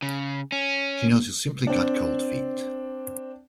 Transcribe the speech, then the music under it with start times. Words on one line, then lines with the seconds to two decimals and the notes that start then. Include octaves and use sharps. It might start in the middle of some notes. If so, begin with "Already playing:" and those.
She knows you simply got cold feet.
0.02 C#3
0.52 C#4
1.67 C4 D4